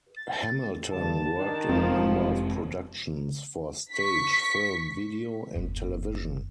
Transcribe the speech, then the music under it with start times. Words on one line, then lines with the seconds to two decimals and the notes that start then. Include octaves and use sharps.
Hamilton worked in a number of productions for stage, film, video, and television.
0.17 A6
0.91 G2 D3 A5
1.38 D#3 D4
1.69 F1 F3 G#3 C4
2.07 A1
3.92 C#6 B6
5.55 F#1 D#2